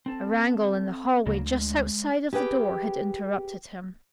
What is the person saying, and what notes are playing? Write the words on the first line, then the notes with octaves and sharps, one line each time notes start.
A wrangle in the hallway just outside of the door had interrupted him.
C4 A4 A5
D2 C#3 F#3 A#3
G#3
G4 G#4 B4 G5